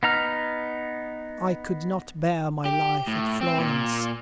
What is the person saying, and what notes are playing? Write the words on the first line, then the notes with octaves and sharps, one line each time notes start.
I could not bear my life at Florence.
B3 D#4 A#5 F6
G4
A2
C4
A#2